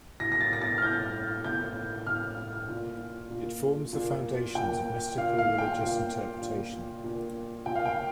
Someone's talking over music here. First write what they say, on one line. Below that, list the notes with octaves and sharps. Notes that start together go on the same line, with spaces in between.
It forms the foundations of mystical religious interpretation.
A2 A#6
A#6
A6
A#6
A6
F6
A2 G6
A2 G6
A2 F6
A#2
A#2
A#2
A#2 G5
A#2 F5
F5
G5
A#2 F5
A#2
A#2
A#2 G5
F5
G5